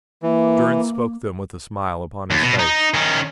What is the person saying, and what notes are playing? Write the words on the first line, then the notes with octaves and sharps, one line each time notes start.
Durrance spoke them with a smile upon his face.
E3 A#3
D#2
B2
D#4
D#3 C#4